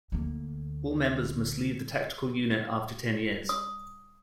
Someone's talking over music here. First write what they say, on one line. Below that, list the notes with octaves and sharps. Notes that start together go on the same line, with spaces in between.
All members must leave the tactical unit after ten years.
D2 A#3
D#6